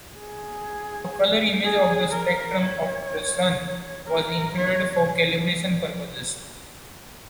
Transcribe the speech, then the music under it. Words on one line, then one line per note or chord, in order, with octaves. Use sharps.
A color image of the spectrum of the sun was included for calibration purposes.
G#4
G#4
A#4
C#5
A#4
C#5